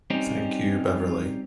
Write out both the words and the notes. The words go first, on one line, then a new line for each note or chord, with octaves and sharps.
Thank You Beverley.
G3 C4 C#4 D#4